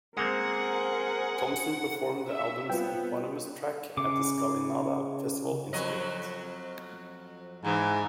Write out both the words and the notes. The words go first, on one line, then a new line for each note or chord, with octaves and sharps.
Thompson performed the album's eponymous track at the Skalinada festival in Split.
G#3 A#3 C4 G#4 A#4 C5 F#5
E5
G3 B3 C4 F4 B4 G5
C#3 D6
F2 F#3 D#5
G#2 E3